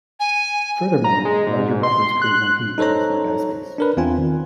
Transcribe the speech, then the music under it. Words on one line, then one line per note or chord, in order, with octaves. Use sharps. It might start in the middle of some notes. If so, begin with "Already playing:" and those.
Furthermore, larger buffers create more heat and use more die space.
G#5
A#5
G#3
G#2
C6
F#6
D#4 A4 C5 C#5 A#5
D4 A#4 B4
E2 C4 F4 G#5
D#3